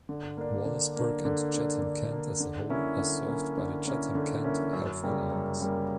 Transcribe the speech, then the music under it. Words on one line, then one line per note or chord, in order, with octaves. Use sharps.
Wallaceburg and Chatham-Kent as a whole are served by the Chatham-Kent Health Alliance.
D3
A#3 D4
D3
A#3 D4
D3
A#3 D4
D3
A#3 D4
D3
A#3 C#4 E4
D3
A#3 C#4 E4
D3
A#3 C#4 E4
D3
A#3 C#4 E4
F#2
C#3 G3 A#3
F#2
C#3 G3 A#3